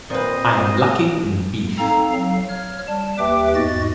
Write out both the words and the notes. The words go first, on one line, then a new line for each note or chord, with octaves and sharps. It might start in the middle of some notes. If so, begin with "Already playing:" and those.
I am lacking in beef.
A#2 C4 B4 C5 D#5
C4 D#4 A4 F5 A#5
F#3 F5
C#5 F6
G3 A5
D#2 G4 B4 E5 G5 D6
E2 G#2 F#4 D#5 A6